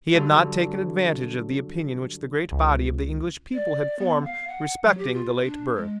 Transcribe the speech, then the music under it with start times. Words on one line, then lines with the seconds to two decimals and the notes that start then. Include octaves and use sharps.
He had not taken advantage of the opinion which the great body of the English people had formed respecting the late birth.
0.14 G2 D3 F#3
2.52 C#2
3.54 D5
3.99 B3
4.24 F5
4.48 F#5
4.84 F#3
4.98 G4
5.13 F4
5.43 D4
5.75 G#3